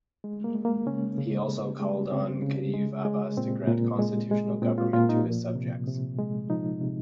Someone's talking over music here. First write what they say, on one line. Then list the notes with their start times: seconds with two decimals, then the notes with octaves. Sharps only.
He also called on Khedive Abbas to grant constitutional government to his subjects.
0.24 G#3
0.44 A#3
0.55 G#3
0.65 A#3
0.86 C#3 C#4
1.18 C#3
1.48 G#3
1.80 G#3
2.12 C#3 C4
2.42 C#3
2.74 G#3
3.05 G#3
3.37 A#2 C4
3.68 A#2
3.99 G#3
4.31 G#3
4.62 A#2 C4
4.78 F4
4.93 A#2 F4
5.09 D#4
5.24 F3
5.55 C3
5.88 C3
6.18 G#3
6.50 F3 D#4
6.81 C3